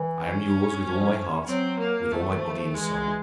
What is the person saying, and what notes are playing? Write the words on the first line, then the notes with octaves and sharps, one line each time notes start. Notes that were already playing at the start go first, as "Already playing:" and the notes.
I am yours with all my heart, with all my body and soul.
Already playing: E3
C#4
F3
F#3 C4
A#3
F3 A3
E3
F3
E3 G#3